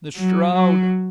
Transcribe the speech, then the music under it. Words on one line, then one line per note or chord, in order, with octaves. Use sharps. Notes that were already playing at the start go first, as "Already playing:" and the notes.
The shroud!
F#3
F#3